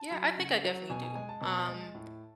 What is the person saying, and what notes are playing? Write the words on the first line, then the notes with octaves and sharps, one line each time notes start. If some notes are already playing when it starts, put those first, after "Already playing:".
Yeah, I think I definitely do, um,
Already playing: A5
F#3
C#3
F#3
B2 G#5
G#5
G#3 G#5
A5
B2 A5
G#3
A2